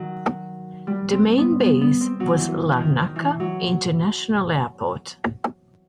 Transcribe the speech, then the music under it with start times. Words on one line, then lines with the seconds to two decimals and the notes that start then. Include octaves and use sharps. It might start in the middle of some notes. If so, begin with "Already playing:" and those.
Its main base was Larnaca International Airport.
Already playing: D#3 F#3
0.87 G3
1.13 C4
1.38 B3
1.62 B3
1.81 B3
2.01 C4
2.20 F#3
2.38 E3
2.77 D#3
2.96 D#3
3.16 E3
3.40 F#3